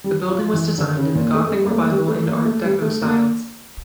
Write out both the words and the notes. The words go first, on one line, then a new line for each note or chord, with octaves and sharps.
The building was designed in the Gothic Revival and Art Deco styles.
G3
F3
E3
D3
C#3
A#2
A3
A3
G3
A#3
A3
G3
A3
A#3
A3
G3
A3
A#3